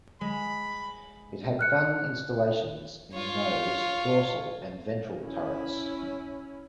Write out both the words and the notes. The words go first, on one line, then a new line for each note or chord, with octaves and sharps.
It had gun installations in the nose, dorsal and ventral turrets.
G#3 B5
F6 F#6 C#7
F4 C#5
C#4 E4